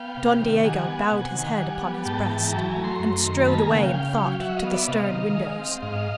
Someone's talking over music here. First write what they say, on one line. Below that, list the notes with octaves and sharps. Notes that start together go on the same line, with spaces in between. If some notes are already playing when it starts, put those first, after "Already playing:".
Don Diego bowed his head upon his breast, and strode away in thought to the stern windows.
Already playing: B3 F5 G5
C3
D#3
G3 F#5 G#5
B3
C3
D#3
G3
B3
G#2 G5 A5
E3
A#5
F#3 G5 A5
G#5 A#5
A3
A#5 C6
F#2
D#3
A#3 A5 B5
G#5 A#5
C#3 F#5 G#5
F5 G5
C#3 F5 G5
F#3
F#3 E5 F#5
D#5 F5
B3
D5 E5
C3 D#5 F5
D#3
G#3
C4
G#2 D#5 F5